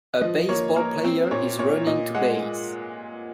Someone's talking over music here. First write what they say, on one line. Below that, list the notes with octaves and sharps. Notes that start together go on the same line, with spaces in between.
A baseball player is running to base.
F3 D#5
A#3 C#5
A#3 A#4
C4 C5
A#2 C#5
A#2 C#5
A#2 D#5
G#3 F#5